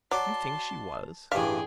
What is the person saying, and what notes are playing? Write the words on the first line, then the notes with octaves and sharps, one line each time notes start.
Do you think she was?
F#3 F#4 D5 A5 C6
A1 G2 D4 G#4 E5 F5 G5